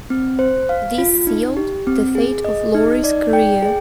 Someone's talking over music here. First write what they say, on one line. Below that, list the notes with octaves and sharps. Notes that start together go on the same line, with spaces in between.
This sealed the fate of Lawry's career.
C4
C5
F5
F4
D#4
G4
C4
G#4
D#5
D#4
D5
G5
G#4